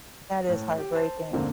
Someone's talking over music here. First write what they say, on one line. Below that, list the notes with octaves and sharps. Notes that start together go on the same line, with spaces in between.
That is heartbreaking.
A2
G4
C5 A5
E1 F#2 D3 A#3 C4